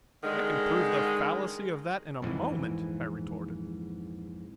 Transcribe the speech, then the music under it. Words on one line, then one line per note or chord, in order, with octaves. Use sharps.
"I can prove the fallacy of that in a moment," I retorted.
D3 D#3 G#3
A#1 F2 G#2 E3